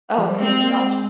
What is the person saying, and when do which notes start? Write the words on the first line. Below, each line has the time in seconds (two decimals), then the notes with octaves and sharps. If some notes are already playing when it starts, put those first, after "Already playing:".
Okay, gotcha.
0.18 F3
0.30 G3
0.39 G#3 C4
0.60 A#3
0.80 G#3